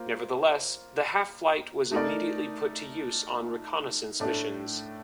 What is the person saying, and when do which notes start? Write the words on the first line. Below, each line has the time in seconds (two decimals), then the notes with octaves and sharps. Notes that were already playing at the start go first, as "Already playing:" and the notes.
Nevertheless, the half-flight was immediately put to use on reconnaissance missions.
Already playing: A#3 F4 C5
1.91 A3 D#4 A#4 D5
4.20 A2 A3 D4